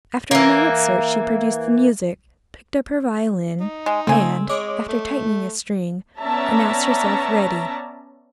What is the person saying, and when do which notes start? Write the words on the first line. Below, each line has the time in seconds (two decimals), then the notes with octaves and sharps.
After a moment's search she produced the music, picked up her violin, and, after tightening a string, announced herself ready.
0.31 E3 A#3
3.60 D#4
3.86 G#3
4.07 C#3 A3 C4 G#5
4.49 G#3 C#5 D#5 D6
4.88 A3
6.18 B3 C#4 D5 E5 A5 A#5